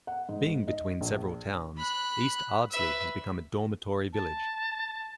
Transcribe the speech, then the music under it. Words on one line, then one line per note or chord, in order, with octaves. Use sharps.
Being between several towns, East Ardsley has become a dormitory village.
F#5
G#2
D#5
A#1
B5 F#6
B4 E5
A5